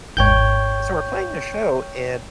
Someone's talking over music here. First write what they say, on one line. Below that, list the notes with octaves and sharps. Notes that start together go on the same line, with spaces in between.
so we're playing the show, and
G#1 E2 G#2 C#5 G5 G6